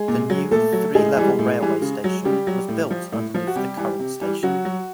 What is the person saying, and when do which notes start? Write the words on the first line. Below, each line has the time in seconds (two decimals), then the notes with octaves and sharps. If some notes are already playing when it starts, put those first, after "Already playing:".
The new, three-level, railway station was built underneath the current station.
Already playing: G#3 G#4
0.08 A#2
0.30 F#3
0.51 A#2 A3 A4
0.72 F#3
0.95 A2 G#3 G#4
1.17 E3 G3
1.39 A2
1.60 E3 G3
1.82 C#3
2.04 F#3
2.25 C#3 G3 G4
2.47 F#3
2.68 A2
2.90 F3
3.12 A2
3.34 F3
3.47 F#4
3.56 C3 G3 G4
3.77 E3 G3
3.99 C3
4.21 E3 G3
4.43 C#3 F#3 F#4
4.65 F#3